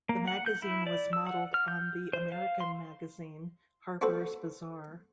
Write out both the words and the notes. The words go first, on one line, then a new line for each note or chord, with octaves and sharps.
The magazine was modelled on the American magazine "Harper's Bazaar".
A#3
F#5
G6
E4
D5
E6
F#5
F6
G6
C5
F5
C6
C4 D4 F#4 A4 B4 C5